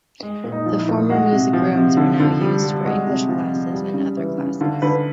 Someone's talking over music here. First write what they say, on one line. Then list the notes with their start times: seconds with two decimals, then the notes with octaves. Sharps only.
The former music rooms are now used for English classes and other classes.
0.23 G#3
0.44 A#2
0.52 D#4
0.66 F3
0.81 E4
0.89 A#2
1.09 G#3 F#4
1.32 C3
1.53 F3
1.76 C3
1.97 D3
2.20 D3
2.41 G3
2.63 G3
2.85 G#3 F#4
3.07 C3
3.29 F3
3.50 C3
3.72 G3
3.94 C#3
4.17 E3
4.38 C#3
4.61 D3 F4
4.82 D3 B4